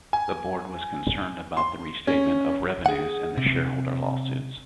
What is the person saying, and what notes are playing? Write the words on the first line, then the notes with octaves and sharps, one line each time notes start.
The board was concerned about the restatement of revenues and the shareholder lawsuits.
G#5
C6
C#4
G#4 F#5
C3